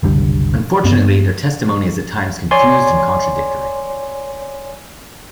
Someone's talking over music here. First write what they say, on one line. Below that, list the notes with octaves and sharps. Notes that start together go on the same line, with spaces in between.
Unfortunately, their testimony is at times confused and contradictory.
F#1 C2 D3 G3
G2 A#3 B3
C#5 D5 G#5 C6